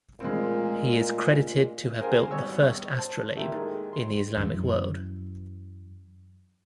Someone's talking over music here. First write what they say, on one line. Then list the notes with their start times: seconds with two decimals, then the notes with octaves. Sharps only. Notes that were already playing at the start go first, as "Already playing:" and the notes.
He is credited to have built the first astrolabe in the Islamic world.
0.20 A#2 G#3 A3 C4 F4 D#5
2.00 G#4 A#4 C5 F5 G5 G#5
2.31 G#1 G3 B3 C#5 C#6 E6
2.94 C5 A5
3.37 A#2 A3 E4 G4
3.52 D#3 G#3
3.93 C6
4.37 F#2 E3